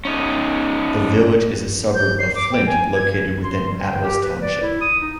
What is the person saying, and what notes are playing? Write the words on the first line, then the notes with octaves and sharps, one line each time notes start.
The village is a suburb of Flint located within Atlas Township.
C#4 D#4
G6
C7
D6
G5
G#5
G#6
C6
G3
G5
G4
B4
D5
E4
D#6
D#4